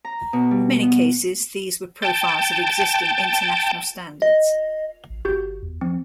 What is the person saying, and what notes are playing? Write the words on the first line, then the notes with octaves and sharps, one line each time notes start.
In many cases these were profiles of existing international standards.
A#5
B2
G3
B3
G5 A5
D#5
A1
G1 F#4 G4 G6
E2
F3 C4